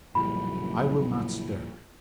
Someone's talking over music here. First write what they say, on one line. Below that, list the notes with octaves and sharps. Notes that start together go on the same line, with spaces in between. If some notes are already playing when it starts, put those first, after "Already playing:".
I will not stir.
F#1 B1 A#2 F3 G3 E4 B5